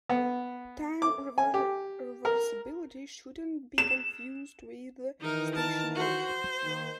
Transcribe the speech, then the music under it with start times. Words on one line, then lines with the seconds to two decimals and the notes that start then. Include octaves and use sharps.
Time-reversibility should not be confused with stationarity.
0.09 B3
1.02 D6
1.38 G#5
1.54 G4
2.25 A#4
3.78 E7
5.21 D#3 E3 D#4 A#4
5.54 A#4 A5
5.95 F#4 C5
6.26 C5
6.63 D#3 A#3